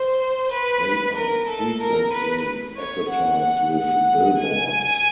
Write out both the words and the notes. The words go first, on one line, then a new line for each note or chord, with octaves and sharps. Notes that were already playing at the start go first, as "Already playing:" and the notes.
They are frequently advertised with billboards.
Already playing: C5
B4
A#4
A4
A#4
B4
C#5
F#5
F#5
G#5